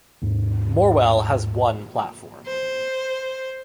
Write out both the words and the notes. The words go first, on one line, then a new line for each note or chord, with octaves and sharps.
Morwell has one platform.
D#2 G#2
C5